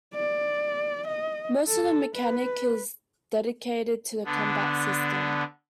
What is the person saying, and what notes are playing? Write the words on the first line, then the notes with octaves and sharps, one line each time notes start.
Most of the mechanic is dedicated to the combat system.
D5
D#5
A4
B4
D3 B3 D4